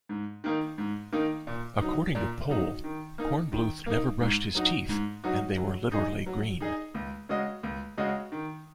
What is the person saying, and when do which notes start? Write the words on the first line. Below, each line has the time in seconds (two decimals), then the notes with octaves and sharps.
According to Pohl, Kornbluth never brushed his teeth, and they were literally green.
0.09 G#2
0.44 D#3 A#3 D#4
0.78 G#2
1.13 D#3 A#3 D#4
1.47 A#2
1.81 F#3 D#4
2.15 A#2
2.50 F#3 D#4
2.84 D#3
3.18 A#3 D#4
3.52 D#3
3.86 A#3 D#4
4.21 G#2
4.55 F#3 D#4 F#4
4.89 G#2
5.24 F#3 D#4 F#4
5.57 F#3
5.92 D#4 G#4 D#5
6.26 F#3
6.60 D#4 G#4 D#5
6.94 C#2
7.29 C#3 G#3 F#4 D#5
7.63 C#2
7.98 C#3 G#3 F#4 D#5
8.32 D#3